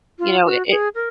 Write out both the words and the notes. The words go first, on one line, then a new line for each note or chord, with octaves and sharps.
you know? I it
F4
F#4
G#4
A#4